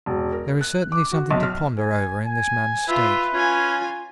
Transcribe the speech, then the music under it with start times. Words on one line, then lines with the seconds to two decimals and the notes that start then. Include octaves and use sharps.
There is certainly something to ponder over in this man's state.
0.06 E1
0.32 A#4
0.61 F#6
0.92 D6
1.12 F#4
1.31 B1
1.43 F6
1.78 G#5
2.25 G#5
2.88 F4 B4 E5
3.34 C#4 F4 G#5